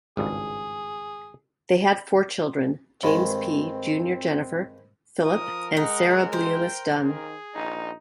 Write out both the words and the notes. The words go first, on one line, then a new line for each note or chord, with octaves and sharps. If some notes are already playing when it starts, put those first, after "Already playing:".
They had four children: James P., Junior Jennifer, Philip, and Sarah Bliumis Dunn.
G#1 C#2 G2 G#4
G2 D#3 G#3 C4 C5 D#5 B5
F3 A#4 D#6
G#3 D#4 F#5
C5 G5
D#3 G#4
A#1 D#4